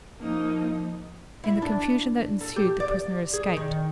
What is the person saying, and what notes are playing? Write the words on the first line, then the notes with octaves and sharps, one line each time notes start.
In the confusion that ensued the prisoner escaped.
F3 A#3 D#4
E4
D4
A4
G4
D5
G#4
D#3